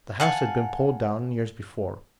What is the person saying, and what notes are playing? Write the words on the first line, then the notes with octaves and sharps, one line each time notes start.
The house had been pulled down years before.
F5 F#5 G#5 A5